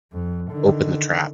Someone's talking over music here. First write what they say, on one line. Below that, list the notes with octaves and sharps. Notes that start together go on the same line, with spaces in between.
Open the trap.
F2
D3 D#3